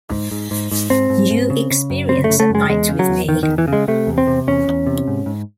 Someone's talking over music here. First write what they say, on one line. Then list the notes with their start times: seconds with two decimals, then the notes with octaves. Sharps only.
You experience a night with me.
0.11 G#2
0.31 G#2
0.51 G#2
0.72 G#2
0.90 G#2 C4
1.10 G#2
1.30 G#2
1.50 C#3
1.71 C#3
1.90 F#2
2.09 C#3 C4
2.24 A3
2.30 C#3
2.40 A3
2.50 F#2 G#3
2.69 E2 G#3
2.89 C#3
2.99 F#3
3.09 E2
3.28 E2 D#3
3.43 D#3
3.48 E2
3.58 E3
3.68 C#3
3.73 G#3
3.88 C3 A3
4.07 E2
4.18 C4
4.27 C3
4.47 E2 C#4
4.68 E2
4.87 C3
5.08 G#2
5.26 G#2